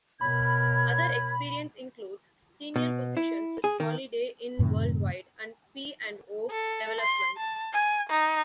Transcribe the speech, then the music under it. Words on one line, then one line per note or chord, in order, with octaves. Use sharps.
Other experience includes senior positions with Holiday Inn Worldwide and P and O Developments.
B2 A#4 C#5 B5 G#6
B2
E4
G#4
D#3
F#2 A2 C3 D#3
A4
C6
A5
G#5
D#4